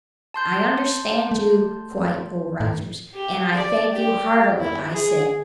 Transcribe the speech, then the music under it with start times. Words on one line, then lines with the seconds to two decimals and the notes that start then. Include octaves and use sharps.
"I understand you quite, Old Rogers, and I thank you heartily," I said.
0.34 A5 C6 G6
1.31 A3
2.60 A2
3.14 G4
3.56 D5
3.92 G4
4.60 E4
4.93 G#4